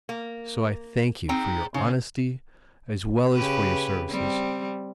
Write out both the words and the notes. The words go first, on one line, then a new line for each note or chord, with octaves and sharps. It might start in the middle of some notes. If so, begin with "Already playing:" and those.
So I thank you for your honesty as well as for your services.
A#3
C4 D#4 G#4 G5 A#5
C#3 D#4 C5
C#3 G4 B4
G3 C4